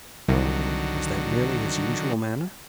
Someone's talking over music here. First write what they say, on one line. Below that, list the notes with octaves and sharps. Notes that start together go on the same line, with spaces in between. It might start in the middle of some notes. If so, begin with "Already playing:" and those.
Was that merely his usual manner?
C2 D3 D#3 F#3